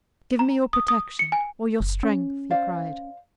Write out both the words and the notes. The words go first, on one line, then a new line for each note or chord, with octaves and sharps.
"Give me your protection--or your strength!" he cried.
A#5
D#6
D#6
C#7
G#5
F#1
C#4
C5 D5 F5